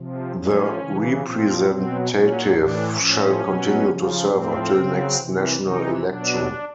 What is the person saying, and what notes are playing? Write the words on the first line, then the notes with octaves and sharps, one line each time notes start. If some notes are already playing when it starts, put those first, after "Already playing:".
The representative shall continue to serve until next national election.
Already playing: C3 F3
A2 F3 C#4
C#3 E3
A#2 F3 C4
B2 F#3 C4
A#2 F#3 C#4
A2 E3 D4
A2 F3 C#4
B2 F#3
C#3 F3
A2 F3 C4
C#3 F#3
C3 E3
C3 E3 D#4
B2 F#3 D4